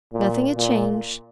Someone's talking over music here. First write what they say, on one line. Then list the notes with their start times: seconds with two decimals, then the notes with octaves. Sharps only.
Nothing had changed.
0.13 A#2
0.57 A#2